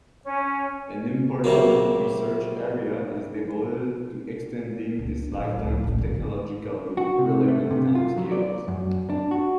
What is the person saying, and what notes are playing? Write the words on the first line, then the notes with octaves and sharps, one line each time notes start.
An important research area is devoted to extending this lifetime to technologically relevant timescales.
C#4
C#2 C3 F#3 A#3
C#2
A1 F#3
C#2 F3
A#1 D4
G#2 E3
G#2 D#3
F#4
C3
A3
C3
F4
F#3
D5
F#2
D4
F#4